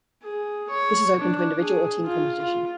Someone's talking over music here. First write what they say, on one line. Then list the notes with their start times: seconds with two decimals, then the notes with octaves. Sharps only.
This is open to individual or team competition.
0.23 G#4
0.70 C#5
1.19 D4
1.60 G#4
2.05 F4
2.41 F4